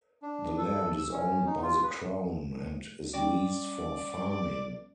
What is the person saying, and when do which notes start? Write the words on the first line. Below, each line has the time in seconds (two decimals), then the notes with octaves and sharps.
The land is owned by the Crown and is leased for farming.
0.22 D4
0.58 A4
0.98 E6
1.12 C#4
1.47 D#4
1.62 F4
1.83 B4
3.14 G3 C#4 D5 G5